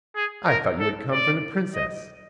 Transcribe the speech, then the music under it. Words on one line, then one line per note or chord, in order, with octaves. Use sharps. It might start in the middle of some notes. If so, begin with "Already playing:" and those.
'I thought you had come from the Princess.
G#4
A#4
A4
D5
D#5